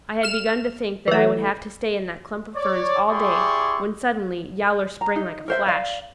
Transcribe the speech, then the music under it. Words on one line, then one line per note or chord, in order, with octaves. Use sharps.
I had begun to think that I would have to stay in that clump of ferns all day when suddenly Yowler sprang like a flash.
F6 E7
E3 A3
C#5 D5
E4 G4 G#4 D5 C6 C#6
A#5
D#4
A#4 C5 E5
D5 F5